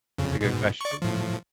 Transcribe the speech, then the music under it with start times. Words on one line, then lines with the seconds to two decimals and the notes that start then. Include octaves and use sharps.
That's a good question.
0.18 F2 C#3
0.41 G#2 B2
0.81 D5 C#6
1.02 A2 F3